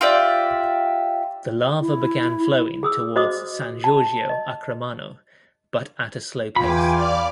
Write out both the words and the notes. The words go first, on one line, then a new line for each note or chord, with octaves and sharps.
The lava began flowing towards San Giorgio a Cremano, but at a slow pace.
F4 G4 D5 E5
E4
G#4 D#6 E6
F#4 C5 D#5 D6 D#6
A5
D#5
E2 E3 F4 G5 G#5 B5 D6
D5 F5 D6